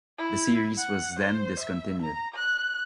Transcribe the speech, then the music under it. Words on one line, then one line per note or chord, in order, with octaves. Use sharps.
The series was then discontinued.
E4
F#5
C5
E5
A#5
F#6